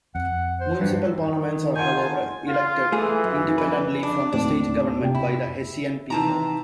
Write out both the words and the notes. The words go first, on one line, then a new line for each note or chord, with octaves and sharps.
Municipal parliaments are, however, elected independently from the state government by the Hessian people.
F2 F#5
C5
G2 B4
D#3
F4 F#5 G#5 A5 G6
F4
E3 A3 F4 G#4
F#2
F2 B4
D4
D1 D#2 C4 D4
C3 G5
E4 B5
C3 D#3 E3 A5 A#5